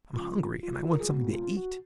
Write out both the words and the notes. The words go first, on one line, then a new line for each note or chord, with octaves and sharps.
"I'm hungry, and I want something to eat!"
C#3 F3 G#3 C#4 F4
F4
A#4
G#4
B2 G#3 B3 F#4
F4
F#4